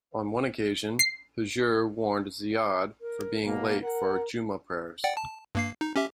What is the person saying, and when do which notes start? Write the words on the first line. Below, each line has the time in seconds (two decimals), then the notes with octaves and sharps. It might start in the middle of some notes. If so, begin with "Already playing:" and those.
On one occasion, Hujr warned Ziyad for being late for Jummah prayers.
0.99 C7
3.01 A#4
3.45 B2 A#3
3.82 A#4 F#5
5.04 D5 F#5 G5
5.17 A5
5.55 G2 A#3 C7
5.81 D#4
5.96 C#4 G4 E5